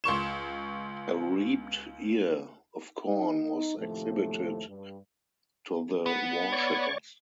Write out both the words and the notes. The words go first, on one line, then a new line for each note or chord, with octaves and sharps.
A reaped ear of corn was exhibited to the worshipers.
C#2 C6 C#6 E7
D#4
D#2 A2 C3 F3 A3
G2
B3
C#5 D5 C#6